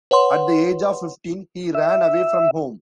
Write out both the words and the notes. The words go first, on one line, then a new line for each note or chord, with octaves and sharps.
At the age of fifteen he ran away from home.
B4 C#5 F#5 C6
E5